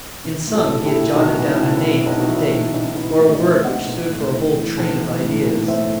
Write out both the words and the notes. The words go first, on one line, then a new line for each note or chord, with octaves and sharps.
In some he had jotted down a name and a date, or a word which stood for a whole train of ideas.
B1
A2
F#4 A4
B1
A4
E4 G4
A2
B1 D#4 F#4
B1
E4
B1
E4
B1
B1 D#4
F#4
E3 E4
B1
B1 D#4
B1 E4
A2 D#4 F#4
D#5
B1 C5 E5
B1 D#5 F#5
B1
A2
B1
E3
B1
E3
A2
B1
A2 C5 E5